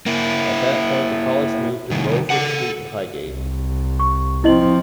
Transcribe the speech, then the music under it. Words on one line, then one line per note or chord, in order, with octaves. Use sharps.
At that point the college moved to Beaufort Street in Highgate.
A#3 E4
C2 D#3
A4 F#5
C2
C#6
F3 C4 E4 D#5 F#7